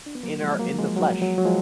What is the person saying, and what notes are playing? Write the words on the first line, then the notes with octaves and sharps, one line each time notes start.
in our in the flesh?
D4
B3
F#3 A#3
F3 G#3
F#3 A#3
F3 G#3
F#3
F#3
F#3
F3 G#3